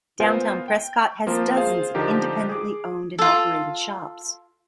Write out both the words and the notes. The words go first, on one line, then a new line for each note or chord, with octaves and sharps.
Downtown Prescott has dozens of independently owned and operated shops.
B3 F4 A#4 C5 F5 G#5
G5
F3 A#3 C4 F4
F4 G#4 C5 F5
D3 F3 D#4 G4 A#4
G#4 D6
F4 A4